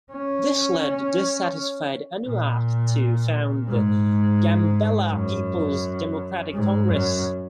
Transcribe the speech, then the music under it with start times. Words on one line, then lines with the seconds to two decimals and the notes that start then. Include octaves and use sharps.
This led dissatisfied Anuak to found the "Gambella People's Democratic Congress".
0.12 C#4
2.25 A#2
3.68 G#2
5.10 F#2
6.53 G#2
6.89 F#2